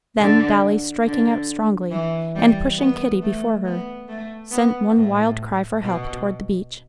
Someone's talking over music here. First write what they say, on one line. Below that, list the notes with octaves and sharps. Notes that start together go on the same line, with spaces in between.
Then Dolly, striking out strongly, and pushing Kitty before her, sent one wild cry for help toward the beach.
D3
D3
E3
G3
B3
A3
B3
A3
B3
A2
B2